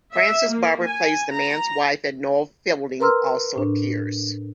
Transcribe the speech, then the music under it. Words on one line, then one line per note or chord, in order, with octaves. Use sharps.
Frances Barber plays the man's wife, and Noel Fielding also appears.
E5
A#3
G#5
A#5
A#4 B4 A#5 C6 E6 F6
A2 D4